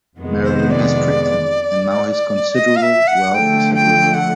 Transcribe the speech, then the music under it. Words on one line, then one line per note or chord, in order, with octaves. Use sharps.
Marylin has tricked him, and now "his" considerable wealth is at risk.
F2 C3 D#3 G#3 B3
C5
D5
D#5
F5
E5
F#5
D3 F3 A3 G5
G5
F#5